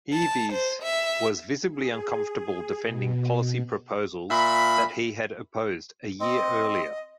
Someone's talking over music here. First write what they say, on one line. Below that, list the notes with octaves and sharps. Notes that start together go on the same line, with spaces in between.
Eves was visibly uncomfortable defending policy proposals that he had opposed a year earlier.
A5
C5
E5
G#4
B2
A#2 F4 E5 B5
C4 D#5